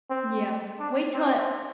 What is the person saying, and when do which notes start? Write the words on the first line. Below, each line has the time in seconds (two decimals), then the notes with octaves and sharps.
Yeah, wait till it
0.10 C4
0.79 D4
1.14 C4